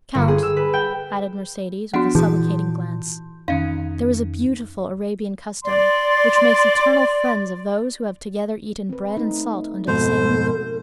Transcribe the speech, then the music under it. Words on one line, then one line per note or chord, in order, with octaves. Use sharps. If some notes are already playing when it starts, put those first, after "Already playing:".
"Count," added Mercedes with a supplicating glance, "there is a beautiful Arabian custom, which makes eternal friends of those who have together eaten bread and salt under the same roof."
G1
G#4
E6
B4
G5
F3 B3 D4 F#4 F#5
A#2 E3 G#4 A5 C6 D#6 G6
F2 D#3 C#4 D#4 F5
D5 C6
C4 B4
A3 D#4
F2 G#2 B2 A4 C5